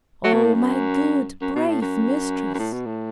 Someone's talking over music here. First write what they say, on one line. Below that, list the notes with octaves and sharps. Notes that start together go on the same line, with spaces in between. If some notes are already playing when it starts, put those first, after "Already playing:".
O my good, brave mistress!
F#3
B2
A2
F#2
F#2
B2
A2
F#2
F#2
A2
B2
A2